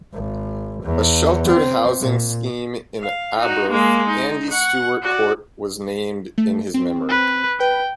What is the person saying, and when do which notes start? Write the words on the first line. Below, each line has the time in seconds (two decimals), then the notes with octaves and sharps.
A sheltered housing scheme in Arbroath, 'Andy Stewart Court', was named in his memory.
0.14 G#1
0.83 E2
1.47 C4
2.00 A#2
2.99 F5
3.38 D#4 F#4
3.70 G#3 A#3
4.08 D#4
4.50 F#5 C#6
5.02 F#4 D5
6.38 A3
6.74 C4
7.10 B4
7.60 B4 G5